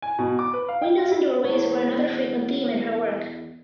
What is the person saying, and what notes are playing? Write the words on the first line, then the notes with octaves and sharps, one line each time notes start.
Windows and doorways were another frequent theme in her work.
G#5
B2
D6
B4
F5
G5
F4
E4
E2 C#5